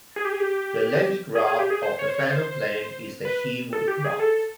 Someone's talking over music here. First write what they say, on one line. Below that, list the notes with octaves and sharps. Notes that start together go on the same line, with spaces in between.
The Levi graph of the Fano plane is the Heawood graph.
G#4
G4
G#4
G4
G#4
G#4
G4
G#4
C5
C#5
C5
C#5
C5
B4
A4
G4
G4
G#4
A4